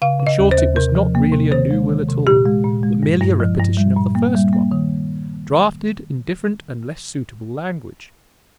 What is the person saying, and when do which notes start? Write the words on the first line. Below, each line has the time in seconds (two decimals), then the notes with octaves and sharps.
In short it was not really a new will at all, but merely a repetition of the first one, drafted in different and less suitable language.
0.02 C#3 F5
0.20 C#3
0.27 D#5
0.39 D#2
0.51 C5
0.58 D#2
0.76 C3 A#4
0.95 F3
1.15 A#3
1.32 C3
1.51 D#3 C5
1.71 G#3
1.89 D#3
2.08 C3
2.27 A#2 G4
2.46 G#3
2.64 A#2
2.83 G#3
3.03 G2
3.21 G2
3.40 F3
3.59 G2
3.77 G3
3.96 A#2
4.15 A#3
4.35 G3
4.53 A#3
4.71 D#3